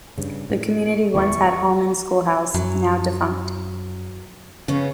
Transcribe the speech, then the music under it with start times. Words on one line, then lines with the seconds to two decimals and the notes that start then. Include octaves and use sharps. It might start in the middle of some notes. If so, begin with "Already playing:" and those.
The community once had Holman Schoolhouse, now defunct.
0.18 G2 C#3
0.50 A2
1.14 D1 E2 E3 C#6
2.54 F#2 F#3
4.68 C#3 B3 C#4